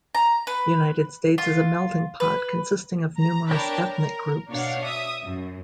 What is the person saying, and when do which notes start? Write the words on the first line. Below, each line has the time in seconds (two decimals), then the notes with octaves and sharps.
The United States is a melting pot consisting of numerous ethnic groups.
0.15 A#5
0.47 B4
1.38 F4
2.20 B4
3.17 A#5
3.47 D4 A#4 C#5 G5 A5 B5
3.87 A#4
4.50 B2 D4 C#5 F5 F#5
4.84 E5 D#6
5.23 F#2